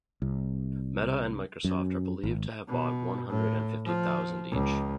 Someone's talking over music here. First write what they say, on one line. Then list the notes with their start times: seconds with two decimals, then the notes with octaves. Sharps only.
Meta and Microsoft are believed to have bought one hundred and fifty thousand each.
0.22 C2
1.64 F#2
2.24 G#1
2.68 B2
3.29 A2
3.86 F3
4.51 C#2